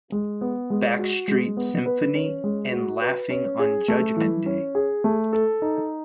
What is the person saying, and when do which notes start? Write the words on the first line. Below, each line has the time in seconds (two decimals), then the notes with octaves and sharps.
"Backstreet Symphony" and "Laughing on Judgement Day".
0.12 G#3
0.41 B3
0.70 G#3
0.99 F#4
1.28 G#3
1.57 B3
1.86 B4
2.15 C#4
2.44 G#3
2.72 F#4
3.01 B4
3.30 C#4
3.59 G#4
3.88 A3
4.17 E3
4.46 C#4
4.75 G#4
5.04 A3
5.33 A4
5.62 D#4